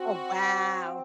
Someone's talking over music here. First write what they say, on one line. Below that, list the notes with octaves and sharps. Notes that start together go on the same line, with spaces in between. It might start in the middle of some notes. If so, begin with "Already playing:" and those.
Oh wow,
Already playing: C4 F#4